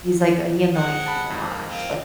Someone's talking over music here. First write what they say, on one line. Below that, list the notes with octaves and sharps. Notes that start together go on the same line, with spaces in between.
He's like, uh he annoys me a lot, actually.
G#3 C4 F#5
A5 B5
F2 G#2
A#3
A#3 C4 F4